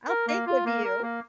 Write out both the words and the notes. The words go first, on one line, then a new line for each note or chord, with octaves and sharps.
I'll think of you.
A#4
A#3
F4
A#3
A#4
A#3